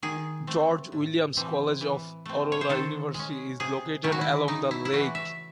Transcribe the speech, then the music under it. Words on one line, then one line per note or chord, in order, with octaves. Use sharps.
George Williams College of Aurora University is located along the lake.
D#3 G#4
A3 C4
A2
E3 C4
E3
A3 C4
C#5
C5
D#3 A4
G#3 C#4
C3 G#4
D#3 F#3 C#4 E4
F#4
E4
C#3 D#4
E4
E4
E3 A3 F#4
E5